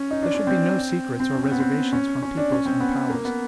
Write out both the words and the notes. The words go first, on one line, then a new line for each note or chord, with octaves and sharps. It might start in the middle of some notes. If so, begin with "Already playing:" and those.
There should be no secrets or reservations from peoples and powers.
Already playing: C#4
D#4
D4
C#4
C4
C4
C#4
C4
B3
C4
C#4
C#4
D4
C#4
C4
B3
A#3
B3